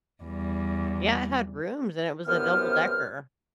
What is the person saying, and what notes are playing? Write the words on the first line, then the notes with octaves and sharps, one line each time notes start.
Yeah, it had rooms, and it was a double decker.
E2 G3
C2 F#2 E3 B3 C5 F6